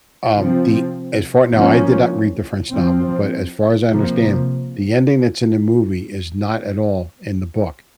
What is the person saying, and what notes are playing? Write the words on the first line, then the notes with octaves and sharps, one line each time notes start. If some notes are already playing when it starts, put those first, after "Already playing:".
uh, um, the as far Now, I did not read the French novel, but as far as I understand, the ending that's in the movie is not at all in the book,
C3 F3 C4
F3 A#3 C#4
F3 C4
C3 F3 A#3